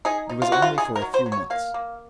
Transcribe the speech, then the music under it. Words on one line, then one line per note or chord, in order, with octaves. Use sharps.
It was only for a few months.
D#4 G#4
D#4
F4
C3 F#4
F4
D#4 G#4
A#4
F#3
C5
F#3
C#5
A#3 F5
A#3